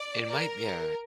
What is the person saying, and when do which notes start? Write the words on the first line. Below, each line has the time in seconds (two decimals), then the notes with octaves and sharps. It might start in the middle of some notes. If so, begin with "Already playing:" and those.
It might be a
Already playing: D5
0.29 A#4